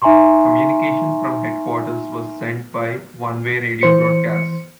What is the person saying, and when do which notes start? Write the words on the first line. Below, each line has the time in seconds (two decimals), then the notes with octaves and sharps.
Communication from headquarters were sent by one-way radio broadcasts.
0.02 D#4 E5 G#5 A#5 C6 C#6
3.81 E3 C5 C#7